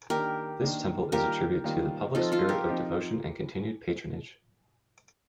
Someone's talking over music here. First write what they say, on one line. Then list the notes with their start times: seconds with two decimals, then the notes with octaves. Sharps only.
This temple is a tribute to the public spirit of devotion and continued patronage.
0.10 D#3 A#3 D4 G4 A#4
0.62 D#3 A#3 D4
1.12 D#3 G3 A#3 F4 G4 A#4
1.64 D#3 G3 A#3 F4
2.15 F3 C4 D#4 F4 A4
2.32 F4 A4
2.49 G4 A#4
2.66 F3 C4 D#4